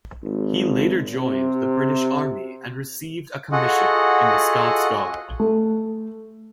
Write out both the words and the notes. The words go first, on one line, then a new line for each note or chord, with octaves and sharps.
He later joined the British Army and received a commission in the Scots Guard.
G#1
C3
F4 F#4 G#4 A4 D#5 F#5
A3